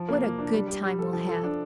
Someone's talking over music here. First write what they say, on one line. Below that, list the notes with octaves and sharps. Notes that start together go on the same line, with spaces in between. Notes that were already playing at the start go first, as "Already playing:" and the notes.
What a good time we'll have!
Already playing: F3
A#3
A#3
D4
G3
G3
G3
A4
F3
A4
D4